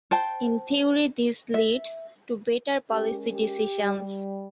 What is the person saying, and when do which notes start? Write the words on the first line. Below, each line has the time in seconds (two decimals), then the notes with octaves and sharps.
In theory this leads to better policy decisions.
0.11 C5 G5 A5
1.54 E5
2.91 G#3 C#4 G4 A#4
3.31 G4
3.80 G3